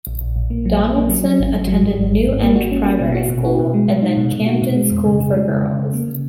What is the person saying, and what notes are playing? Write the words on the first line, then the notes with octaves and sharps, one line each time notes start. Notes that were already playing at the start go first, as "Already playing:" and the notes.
Donaldson attended New End Primary School and then Camden School for Girls.
A#1
A#1
A#1
A#3
F#3
A#1
A#3
F#3
F#3
G#1
F#3
F#3
G#2
G#1
G#1
G#1
A#3
F#4
C#4
A#3
B2
F#4
B2
F#4
B2
G#3
B2
D#4
B2
B2
F#4
B2
G#3
F2
C#3
C#3
G#3
C#3
C#3
C#3
A#3
C#3